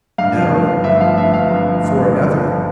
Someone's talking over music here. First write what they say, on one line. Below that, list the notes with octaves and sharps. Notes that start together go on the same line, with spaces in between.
"No; for another."
G2 F5
F3
G1
G1
G2 E5
F3 F5
G1 E5
G1 F5
G2
F3
G1
G1
G2
F3